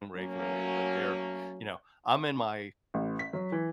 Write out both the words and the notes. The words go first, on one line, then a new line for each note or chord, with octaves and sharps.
regularly, but they're, you know I'm in my
F#3 A3 A#3 C#4
A1
B6
F#3
E3